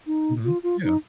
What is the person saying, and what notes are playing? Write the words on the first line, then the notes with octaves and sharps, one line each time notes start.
Mhm, yeah.
D#4
F4
F4
D#4